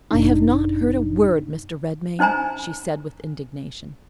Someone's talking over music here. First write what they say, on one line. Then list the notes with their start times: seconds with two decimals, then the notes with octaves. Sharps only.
"I have not heard a word, Mr. Redmain," she said with indignation.
0.11 G1 F#2 B2 D4 D#4
2.19 C#4 D#4 C5 G#5 A#5